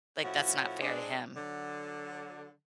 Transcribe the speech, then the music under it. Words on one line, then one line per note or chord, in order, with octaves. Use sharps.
like, that's not fair to him.
A2 F3 C#4 E4 F#4
G#3 C4 D4
D3 F#3